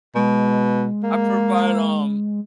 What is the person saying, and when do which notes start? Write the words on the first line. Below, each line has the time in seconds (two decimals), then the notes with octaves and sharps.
I provide, um,
0.16 B2 G#3
1.04 A#3